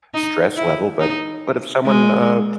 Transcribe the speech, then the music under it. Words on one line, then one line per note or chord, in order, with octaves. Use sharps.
stress level, but but if someone, uh,
D#4
E4
D#4
G#3